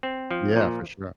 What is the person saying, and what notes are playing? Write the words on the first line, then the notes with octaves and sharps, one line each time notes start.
Yeah, for sure.
C4
F3
A#2